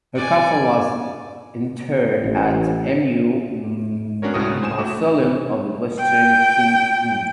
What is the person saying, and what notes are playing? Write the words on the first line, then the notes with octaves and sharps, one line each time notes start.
Her coffin was interred at Mu Mausoleum of the Western Qing tombs.
D5 G#5
A1
B3 C#4 D4 F#4 A#4 C#5
C#2 A2 C3 F#4 D#6
C#3
C5 G#5 D#6 E7
A2 A3 F#4 D6
G5